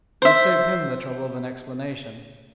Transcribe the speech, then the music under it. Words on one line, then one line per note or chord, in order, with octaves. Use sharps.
It would save him the trouble of an explanation.
C5 E5